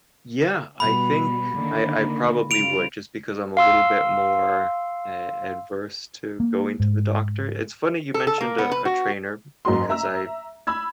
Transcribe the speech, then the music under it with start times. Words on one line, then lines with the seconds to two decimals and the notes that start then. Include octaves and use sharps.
Yeah, I think I I probably would just because I'm a little bit more a adverse to going to the doctor. It's funny you mentioned a a trainer because I,
0.80 B2 G3 B3 B5
1.55 D3 D#3 A#3
2.51 C#3 G3 F4 D7 F7
3.57 F5 C6 E6
6.40 A#3
6.80 G#2
8.14 A4
8.27 A4
8.41 A#3
8.58 B3
8.72 B4
8.85 F#4
9.65 F#1 G#2 F#3 C6
9.89 E5 A#5 E6
10.67 B5 E6 G#6